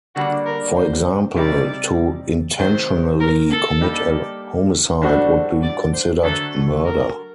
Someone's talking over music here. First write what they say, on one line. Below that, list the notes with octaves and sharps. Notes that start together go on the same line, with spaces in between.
For example, to intentionally commit a homicide would be considered murder.
D3 G3 A#3 D4 F#4
A#4
C5
C3 G3 C4 D#4 D5
C3 D#3 F#3 C4 C5
A#4
A4
G3 A#3 D#4 G4
A2 G3 D4 F#4 A4 C5
D5
C5
D3 F#3 A3 A4
A#4